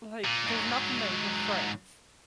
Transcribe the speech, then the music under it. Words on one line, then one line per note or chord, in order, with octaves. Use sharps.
like, "There's nothing there, we're friends."
A#2
G#2 F#3